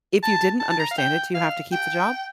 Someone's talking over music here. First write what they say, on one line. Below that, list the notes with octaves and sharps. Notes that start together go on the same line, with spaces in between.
if you didn't understand it, do you have to keep the job?
A5
A5
A5
A#5
F5
G5
F5
G5